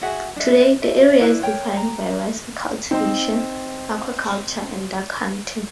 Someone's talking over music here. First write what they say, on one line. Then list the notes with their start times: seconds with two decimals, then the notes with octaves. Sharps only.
Today, the area is defined by rice cultivation, aquaculture and duck hunting.
0.02 F#4 G#4 E5 F#5
0.36 D4 E5
0.82 E5
1.20 D4 E4 B4 F5
1.43 A#4 C#5 G5
1.77 A#5
2.91 C4 D#4 C5